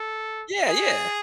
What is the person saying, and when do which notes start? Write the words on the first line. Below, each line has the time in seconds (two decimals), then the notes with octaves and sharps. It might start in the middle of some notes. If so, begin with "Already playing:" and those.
Yeah, yeah.
Already playing: A4
0.68 G#4